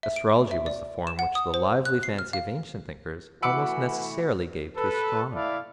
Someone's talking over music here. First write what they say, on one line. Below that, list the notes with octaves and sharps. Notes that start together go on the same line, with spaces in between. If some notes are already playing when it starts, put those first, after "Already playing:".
Astrology was the form which the lively fancy of ancient thinkers almost necessarily gave to astronomy.
E5
D7
E5
D5
E7
F#5
D#6
C5
F#6
C7
F6
F5
E3 A3 F#4 F#5 B5 D6 E6 C#7
A4 B4
A3 E4 D5 F5